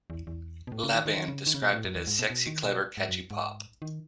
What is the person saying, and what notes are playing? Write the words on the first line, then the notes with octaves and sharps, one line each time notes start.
Laban described it as "sexy, clever, catchy pop".
E2
E2
B2
A2
C#3
D#3
D#3
D#3
C#3
D#3
C#3
B2
A2
F#2
E2
G#2
B2
B2
D#3
B2
G#2
F#2
G#2
D#3